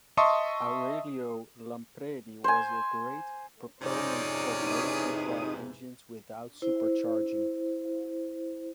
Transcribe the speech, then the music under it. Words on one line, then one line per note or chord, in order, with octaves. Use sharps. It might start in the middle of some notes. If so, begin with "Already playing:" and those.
Aurelio Lampredi was a great proponent of racing-car engines without supercharging.
D#5 E5 A5 C6 C#6 D#6
C5 G#5
F2 G#2 C3 C#4 D#4 C5 D5
D#4 E4 G#4 B4 D#6
E4 C5